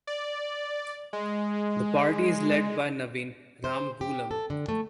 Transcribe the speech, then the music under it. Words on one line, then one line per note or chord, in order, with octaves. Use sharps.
The party is led by Navin Ramgoolam.
D5
G#3
C5
G4
A4
D3
A3